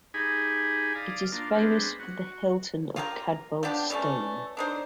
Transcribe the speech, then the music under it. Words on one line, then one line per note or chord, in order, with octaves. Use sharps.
It is famous for the Hilton of Cadboll Stone.
D#4 G4 G#4 G#5 B5
D5 F5 D#6
A#3 D4 F4
G#3 B3 C4 D4
F#4
F4 G4 G#4 A#4
F3 B3 D4 G4
E3 G3 A3 C#4
D4 D#4 C5